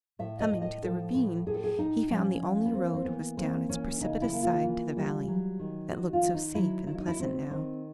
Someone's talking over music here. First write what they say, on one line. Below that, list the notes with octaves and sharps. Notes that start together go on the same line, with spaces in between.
Coming to the ravine, he found the only road was down its precipitous side to the valley, that looked so safe and pleasant now.
A2 E5
D#5
A2
D#5
F3 A4
A2
A2 G#4
A4
G#4
A2 D#4
F3 C#4
F3
B3
A#3 C4
C4
E3 B3
A#3 C4
E3 C#4
C#3 D#4
E4
A#3
F4
E3
G3
F#3
D#3
D#3 F#4
F4
D#3
D#4
F#3 E4
D#3 E4
D#4
E4
D#3 C4
D#3 C4